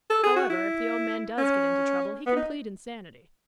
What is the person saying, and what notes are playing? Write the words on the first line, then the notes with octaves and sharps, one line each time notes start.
However, if the old man does get into trouble he can plead insanity.
A4
G#4
F#4
E4
C#4
B3
D#4